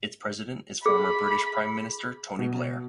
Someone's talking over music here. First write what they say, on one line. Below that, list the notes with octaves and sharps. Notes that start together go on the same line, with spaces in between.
Its president is former British Prime Minister Tony Blair.
G#4 B5
B2